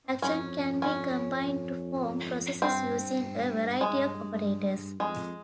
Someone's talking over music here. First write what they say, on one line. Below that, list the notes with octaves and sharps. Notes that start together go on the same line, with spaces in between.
Actions can be combined to form "processes" using a variety of operators.
F2 C#4
C#4
G2 C4
G2 G#3
F2 G#3